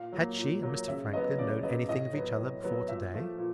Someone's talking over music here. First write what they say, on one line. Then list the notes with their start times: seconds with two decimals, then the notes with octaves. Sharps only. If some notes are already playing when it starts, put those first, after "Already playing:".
Had she and Mr. Franklin known anything of each other before to-day?
Already playing: A#2 F5
0.12 F#3 A#3
0.38 A#2
0.63 F#3 A#3
0.88 C#3 E5
1.13 F#3 B3 D#5
1.38 C#3 D5
1.63 F#3 B3 D#5
1.89 A2 D#5
2.14 F#3 B3
2.38 A2
2.64 F#3 B3
2.88 A#2 E5
3.14 F3 A3
3.38 A#2